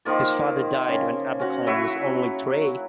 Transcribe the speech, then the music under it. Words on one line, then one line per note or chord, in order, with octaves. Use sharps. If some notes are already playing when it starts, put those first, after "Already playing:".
His father died when Abercorn was only three.
D#3 F3 A#3 D5
C#3
C#4 F#4
F#3 E4 E5 C#6